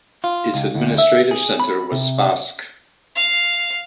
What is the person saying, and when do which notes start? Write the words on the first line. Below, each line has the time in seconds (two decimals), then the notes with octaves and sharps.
Its administrative centre was Spassk.
0.24 F4
0.54 C#2
0.75 D2
0.98 E5
1.31 G#4
1.60 B5
1.92 C3
3.16 F5